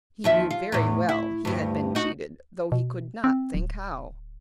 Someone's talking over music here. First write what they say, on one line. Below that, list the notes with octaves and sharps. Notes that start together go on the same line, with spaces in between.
He knew very well he had been cheated, though he could not think how.
D#2 F3 E5
F4
E2 A2
E4
D2 G2
D#4 F#4
B2
C4
D1